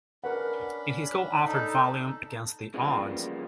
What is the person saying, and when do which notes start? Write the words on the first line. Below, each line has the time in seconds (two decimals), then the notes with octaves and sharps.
In his co-authored volume, Against the Odds?
0.24 C#4 D4 A#4 B4 F#5 B5
1.46 D#4 A4
2.74 C#3 E3 F3 G3 A#3 B3